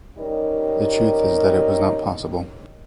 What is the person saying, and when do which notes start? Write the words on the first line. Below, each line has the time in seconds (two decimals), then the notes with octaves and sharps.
The truth is that it was not possible.
0.18 G3 C#4 D#4 G4 A#4